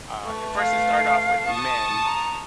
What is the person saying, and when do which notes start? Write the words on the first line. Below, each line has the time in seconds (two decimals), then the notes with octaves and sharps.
uh at first it started off with men
0.24 A3 B4 C#6
0.58 F5
1.46 A5 C#6 D#6
2.05 A#5